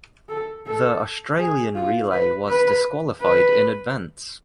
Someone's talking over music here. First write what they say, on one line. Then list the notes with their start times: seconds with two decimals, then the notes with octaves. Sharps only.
The Australian relay was disqualified in advance.
0.29 A4
0.66 A4
1.39 G#4
1.75 F4
2.12 B4
2.49 B4
3.21 B4